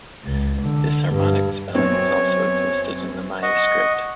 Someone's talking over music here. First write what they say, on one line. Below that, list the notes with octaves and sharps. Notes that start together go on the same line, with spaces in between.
Disharmonic spellings also existed in the Maya Script.
C#2
D3
G2
F#2 B3 C4 C#5
D#5 F#5 C#6